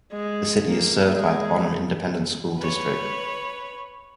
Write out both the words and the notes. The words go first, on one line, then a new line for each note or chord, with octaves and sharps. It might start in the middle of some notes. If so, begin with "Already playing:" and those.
The city is served by the Bonham Independent School District.
G#3
A#3
G#3
B4 C#5